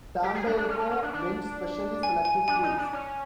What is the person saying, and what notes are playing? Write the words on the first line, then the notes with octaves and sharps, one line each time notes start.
Sambyeolcho meant specially selected troops.
G4
G#4
D4
D4
C#4
C#4
C#4
D4
D4
G#5
G#5
D4 G#5
D#4
D4
C#4